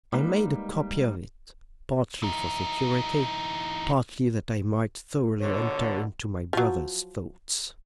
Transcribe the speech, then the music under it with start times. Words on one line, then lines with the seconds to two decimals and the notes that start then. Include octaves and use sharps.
"I made a copy of it,--partly for security, partly that I might thoroughly enter into my brother's thoughts."
0.13 G3 G#3 A#3 D#4 B4
2.22 E3 D#4
5.41 A#1 B2 D3 C#5
6.53 F3 F#3